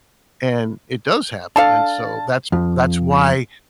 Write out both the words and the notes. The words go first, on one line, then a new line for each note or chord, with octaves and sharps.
and it does happen, and so, that's that's why,
D4 A4 F5 A5
F2